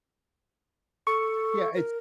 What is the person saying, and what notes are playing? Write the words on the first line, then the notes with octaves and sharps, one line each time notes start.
Yeah. It's
A4 C#6
A#4